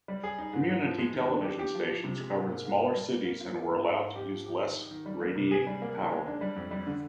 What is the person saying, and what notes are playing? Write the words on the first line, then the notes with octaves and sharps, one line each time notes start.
Community television stations covered smaller cities and were allowed to use less radiated power.
G3
G#4
D#4
G#2
G#2
F3
G#3
D#3
D4
G4
G4
F3
F3
C3
G#3
G#2
A#3
G#2
A#3
G3
A#3
A#3
F4
A#3
G#2
G#2
G#2
G4
F3
G4
D#3
D#3
D#3
G3
A#3
C3
G#4
G3
A#3
D#3
G#3
D4
G3
F2
G3
D3